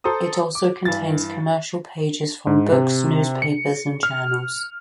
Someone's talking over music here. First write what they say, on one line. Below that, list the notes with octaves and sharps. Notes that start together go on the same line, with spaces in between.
It also contains commercial pages from books, newspapers, and journals.
A4 C5 A#5 D#6
D6
G2 E3 A6
G#2
C3
C#7
F6